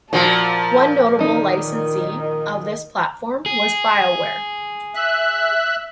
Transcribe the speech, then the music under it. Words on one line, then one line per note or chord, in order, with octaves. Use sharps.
One notable licensee of this platform was BioWare.
A#2 F3 F4 F#4 A5
D#3 E3 D#4
G#4
E5 F#6